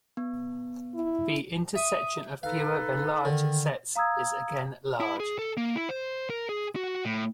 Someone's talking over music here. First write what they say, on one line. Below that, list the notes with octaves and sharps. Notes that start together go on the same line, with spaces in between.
The intersection of fewer than large sets is again large.
B3
E4
E5 D#6
D#4 A4 B4 F5
D3 D#3
F5 A#5 D#6 E6 G#6
E4
G#4
A4
A#3
E4
C5
A#4
G#4
F#4
A2